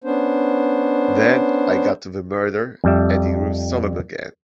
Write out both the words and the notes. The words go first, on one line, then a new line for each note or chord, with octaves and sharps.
Then I got to the murder, and he grew solemn again.
B3 C#4 D4 C5
F2 G3 E5